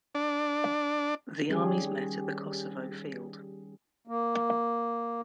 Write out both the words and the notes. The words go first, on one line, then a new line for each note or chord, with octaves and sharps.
The armies met at the Kosovo Field.
D4
D#3 G3 C#4 G4 G#4
A#3